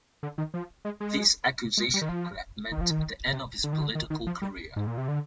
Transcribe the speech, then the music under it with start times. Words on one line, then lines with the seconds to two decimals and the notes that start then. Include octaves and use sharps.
This accusation could have meant the end of his political career.
0.23 D3
0.38 D#3
0.54 F3
0.85 G#3
1.00 G#3
1.78 G#3
1.94 G3
2.02 D#3
2.09 F3
2.72 D#3
2.81 F3
2.90 D#3
3.33 C3
3.64 D3
3.73 D#3
3.81 D3
3.95 D#3
4.10 D#3
4.27 F3
4.42 G3
4.76 G#2
4.87 A#2
4.98 C3
5.08 D3